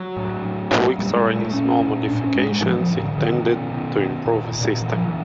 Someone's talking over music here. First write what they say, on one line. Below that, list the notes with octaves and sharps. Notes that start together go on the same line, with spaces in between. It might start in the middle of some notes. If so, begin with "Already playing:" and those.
Tweaks are any small modifications intended to improve a system.
Already playing: F#3
A2
A2
A2
A#2 G3
G#3
A#2 A3
A3
A#2 C#4
A#2
A2 D4
C#4
A2 G#3
G#3
A2 F3
F3
A2 E3
D3
B2 D#3
B2
B2
B2
A#2
A#2
A#2 E3
F3
A#2 E3